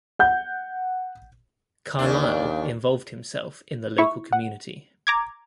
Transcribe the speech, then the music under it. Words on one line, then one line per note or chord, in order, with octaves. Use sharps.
Carlisle involved himself in the local community.
F#5 G6
D#2 C#3 D4
E4 C#6
F#5
A#5 D6 G#6